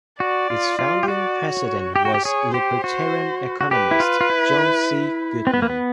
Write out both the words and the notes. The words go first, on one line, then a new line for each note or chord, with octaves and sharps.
Its founding president was libertarian economist John C. Goodman.
F#4 D5
F4
F4
G4
F#4 D5
C#5
G4 G5
F#4
G4
G#4 C#5
G4 C5
F#4
F#4
G4 B4
E4
F4
F4
E4
C4 B4
B3
A#3
B3